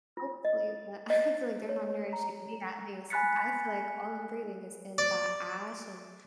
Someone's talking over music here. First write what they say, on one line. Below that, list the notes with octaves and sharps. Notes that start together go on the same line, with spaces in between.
Hopefully, but I feel, like, they're not nourishing me at least, 'cause I feel, like, all I'm breathing is in that ash and
F4
D#5
D#5
C#5
A#5
G#5 B5 F#6 A6 B6 C#7
D5